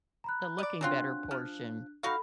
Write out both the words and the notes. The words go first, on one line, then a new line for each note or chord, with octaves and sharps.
The looking-better portion
A#5 B5 F#6
D5 D#5
F#3 C4 D4 F4 F#6
F3
D#4 F#4 A4 F5 B5